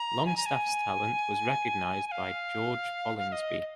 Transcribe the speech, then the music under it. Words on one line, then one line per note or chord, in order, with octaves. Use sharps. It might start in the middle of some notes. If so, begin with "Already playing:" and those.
Longstaff's talent was recognised by George Folingsby.
Already playing: A#5
G#5
A#5
G#5
G#5
F5
F5
F5
D#5
D#5